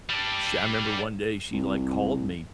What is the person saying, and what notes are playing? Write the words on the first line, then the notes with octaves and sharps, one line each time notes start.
sh I remember one day she like called me
G3 D4
C2